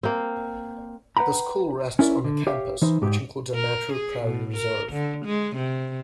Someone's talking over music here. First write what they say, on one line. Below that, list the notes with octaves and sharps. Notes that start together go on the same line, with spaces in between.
The school rests on a campus which includes a natural prairie reserve.
A#3 C4
B4 F#5 G5 A#5 B5
C#4 E4 A#4 D5
D3
G4 C#5 E5 F5
E3 D#4 C5
G#2 G4 G5
A#4
G#4
B2
A#4
D3
G#3
C3